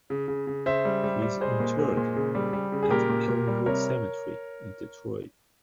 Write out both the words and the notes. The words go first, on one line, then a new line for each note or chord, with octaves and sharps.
He is interred at Elmwood Cemetery, in Detroit.
C#3
C#3
C#3
C#3 C5 E5
G3
G3
G3
G#3 G#4 C5
A#2
G#3
A#2
C#3
G3
G3
C#3
G#4
A#2 G4 A#4
A#2
A#2
G3
C3 A#4 C#5